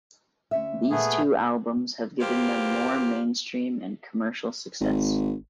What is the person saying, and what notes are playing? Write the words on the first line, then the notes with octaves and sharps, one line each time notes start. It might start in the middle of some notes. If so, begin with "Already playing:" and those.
These two albums have given them more mainstream and commercial success.
D2 C#4 E5
A#2 A3 B3 G#4
E2 F4 G4 A#4 C5 F5
G#1